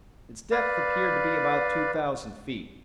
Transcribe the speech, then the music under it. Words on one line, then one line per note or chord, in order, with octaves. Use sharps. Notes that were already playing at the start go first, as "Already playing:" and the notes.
Its depth appeared to be about two thousand feet.
B4 D5 F5